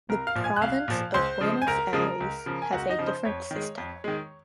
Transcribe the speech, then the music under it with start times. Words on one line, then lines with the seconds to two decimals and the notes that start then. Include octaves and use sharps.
The Province of Buenos Aires has a different system.
0.09 C2 A#4 A#5
0.27 F5 F6
0.35 A#2 F3
0.44 G#5 G#6
0.56 F#6
0.61 C2 F5 F6
0.88 A#2 F3
1.14 C#2 C5 C6
1.41 C#3 F3 G#3
1.62 G#5
1.67 C#2 A#4 A#5
1.93 C#3 F3 G#3
2.20 C#2
2.46 C#3 F3
2.62 G#5
2.72 C#2 F#4 F#5
2.89 D#4 D#5
2.99 C#3 F3
3.07 C5
3.25 F2 C#5
3.51 D#3 G#3
3.78 F2
4.04 D#3 G#3